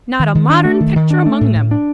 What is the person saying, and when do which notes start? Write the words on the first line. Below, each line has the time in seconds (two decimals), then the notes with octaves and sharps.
Not a modern picture among them.
0.20 D#3
0.35 D#3
0.50 D4
0.65 A3
0.80 D#3
0.96 D#3
1.11 D4
1.26 A3
1.41 A2
1.56 A2
1.71 D4